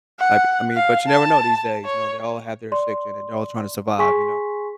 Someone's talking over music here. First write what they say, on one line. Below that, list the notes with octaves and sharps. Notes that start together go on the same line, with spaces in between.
I I mean, but, you never know these days, you know? They all have their restriction, and they're all trying to survive, you know?
F#5
F5
A5
C#5
D5 C6
G#4 G#5 C6 C#6 B6